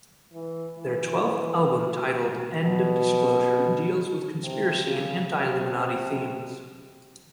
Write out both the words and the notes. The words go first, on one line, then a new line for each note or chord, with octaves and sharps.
Their twelfth album titled End of Disclosure deals with conspiracy and anti-Illuminati themes.
E3
E3
B2
C3
C#3
C3